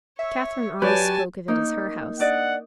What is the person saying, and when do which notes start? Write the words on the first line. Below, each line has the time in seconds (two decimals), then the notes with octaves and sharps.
Catherine always spoke of it as her house.
0.19 C#5 E5
0.82 F#3 G4 B4 C#5 D5 G#5 A5
1.48 A#3 C#4 D#4 A#4
2.20 D4 D5 D#5 F#5